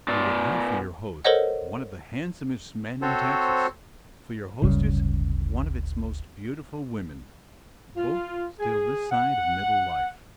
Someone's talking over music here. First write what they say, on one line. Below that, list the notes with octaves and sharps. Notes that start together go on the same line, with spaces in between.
You would have for your host one of the handsomest men in Texas; for your hostess one of its most beautiful women--both still this side of middle life.
B2 D5
A4 A#4 C5 C#5 D#5 F#5
C4 F#4 A4 C5 C#5
D1 G1 C#3 G3
F4
G#4
F#5